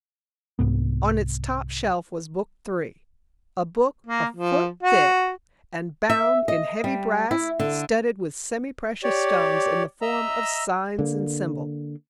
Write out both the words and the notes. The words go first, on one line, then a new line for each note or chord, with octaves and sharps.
On its top shelf was Book Three, a book a foot thick and bound in heavy brass studded with semi-precious stones in the form of signs and symbols.
C2 G#2 B3
A#3
F3
F#4
E5
D#5
G3
E4
D3
G4 C#5 D5
D#5 E5 A#5 E6
D3 A#3